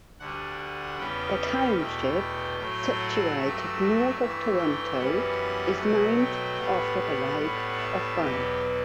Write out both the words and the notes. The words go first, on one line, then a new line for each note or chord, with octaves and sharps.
The township, situated north of Toronto, is named after the Lake of Bays.
D2 D3 G3 F#5
E2 C#3 G3 B3 G5
E2 B2 A3 G5
A2 F#3 A3 G5
F#5
G2 F#3 A3 E5
G2 E3 A3
G5
F#2 E3 G3 B3 F#5
B2 F#3 A3 F#5
G5
A2 G3 B3 F#5
A2 G3 B3
E5
E2 B2 F#3 B3 G4